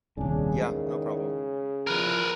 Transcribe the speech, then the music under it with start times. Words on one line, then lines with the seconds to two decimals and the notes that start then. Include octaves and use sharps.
Ya! No problem.
0.18 D#1 C2 C#3 D4 G#5
0.57 E2 D#3 G#3
1.87 E2 F3 A#4 B4